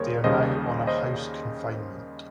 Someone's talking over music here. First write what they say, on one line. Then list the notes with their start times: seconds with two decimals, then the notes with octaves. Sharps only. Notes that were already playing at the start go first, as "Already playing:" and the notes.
They are now on a house confinement.
Already playing: D#2 C#3 G3 A#3 G#4 A#4 C5 C#5
0.24 D#2 C#3 G3 A#3 C5 D#5
0.87 C5 D#5